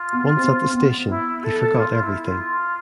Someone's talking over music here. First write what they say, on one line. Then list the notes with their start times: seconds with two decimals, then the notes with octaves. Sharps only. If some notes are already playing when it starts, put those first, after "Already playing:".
Once at the station, he forgot everything.
Already playing: F4
0.13 B3
0.37 C4
0.73 B3
1.08 E4
1.43 A4
1.75 E4
1.80 F4
1.91 F4
2.02 E4
2.26 F4